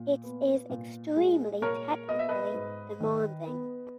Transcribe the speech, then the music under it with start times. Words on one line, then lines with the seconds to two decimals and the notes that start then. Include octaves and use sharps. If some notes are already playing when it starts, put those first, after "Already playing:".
It is extremely technically demanding.
Already playing: A#2
0.24 B3
0.70 A#2
1.17 G#3
1.62 A#2 A#4 C#5
2.08 B3 D#5
2.19 E5
2.29 B4 D#5
2.54 G#2
3.00 D#3
3.46 B3